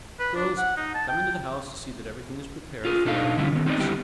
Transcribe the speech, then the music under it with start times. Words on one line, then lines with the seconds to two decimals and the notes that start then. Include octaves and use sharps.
"Girls, come into the house to see that everything is prepared for our heroes."
0.19 B4
0.35 D4
0.58 F#5
0.77 D#4
0.94 A5
1.09 G5
2.85 F4 G#4
3.05 B2 D4 D#4 A4 C5 F5
3.37 D3 G3 C#4 E4
3.52 D#3 B3
3.66 C4 D#4 B4 D5 D#5
3.78 D3 G3 B3 E4 G4 G5